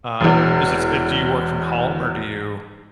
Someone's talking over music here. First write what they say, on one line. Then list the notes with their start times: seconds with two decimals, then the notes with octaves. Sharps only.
Um, is it so do you work from home or do you
0.20 E1 E2